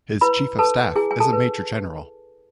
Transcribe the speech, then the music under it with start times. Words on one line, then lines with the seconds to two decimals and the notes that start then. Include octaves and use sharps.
His chief of staff is a major general.
0.21 E4 B4 B5
0.59 A4 B4 A5
0.96 E4 G#4 G#5
1.11 G#5
1.20 A4 A5
1.33 B4